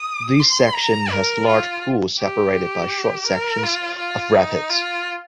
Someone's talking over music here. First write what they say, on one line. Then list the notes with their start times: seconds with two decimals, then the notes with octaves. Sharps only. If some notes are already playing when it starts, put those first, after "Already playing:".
This section has large pools separated by short sections of rapids.
Already playing: D#6
0.39 C6
0.75 A#5
1.12 A#4
1.47 F4
2.19 G4
3.27 A#4
3.64 F4
3.99 F4
4.34 D#4
4.70 F4